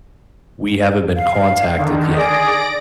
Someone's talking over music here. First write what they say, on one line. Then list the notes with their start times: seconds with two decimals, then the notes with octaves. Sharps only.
we haven't been contacted yet?
1.16 F5
1.78 D3 D#3
2.16 G#4 D5 D#6 A#6 D7